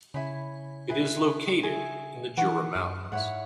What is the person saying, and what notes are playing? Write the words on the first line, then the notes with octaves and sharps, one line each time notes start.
It is located in the Jura mountains.
C#3 E4 C#5 G#5 B5
E4 G#4 B4
G#4 E5 G#5
E3 B4 F#5 C#6
F#2
G#2 E4 C#5 F#5